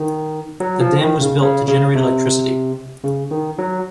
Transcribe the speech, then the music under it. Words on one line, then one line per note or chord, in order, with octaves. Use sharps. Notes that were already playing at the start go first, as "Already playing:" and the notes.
The dam was built to generate electricity.
Already playing: D#3
F#3
F3
D#3
C#3
C#3
C#3
C3
C#3
D#3
F#3